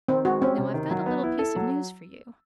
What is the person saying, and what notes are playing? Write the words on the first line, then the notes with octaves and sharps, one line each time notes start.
Now I've got a little piece of news for you.
D#3 C4
G#3 F#4
C4 C#4
C3
D#3
F#3
B3
E4
A4
F#3